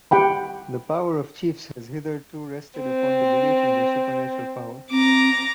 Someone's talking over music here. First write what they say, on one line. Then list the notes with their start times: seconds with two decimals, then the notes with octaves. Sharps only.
The power of chiefs has hitherto rested upon the belief in their supernatural power.
0.11 G4 F#5 G5 B5
2.80 C4
4.91 C4 A#5 D6